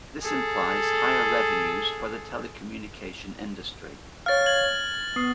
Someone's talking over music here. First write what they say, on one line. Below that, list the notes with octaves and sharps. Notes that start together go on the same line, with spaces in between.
This implies higher revenues for the telecommunication industry.
G#4 A4
C#5 F5 F6 A6
G#6 F#7
B3 D#6 C7